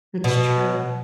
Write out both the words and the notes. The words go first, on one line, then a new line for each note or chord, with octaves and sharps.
It's true.
B2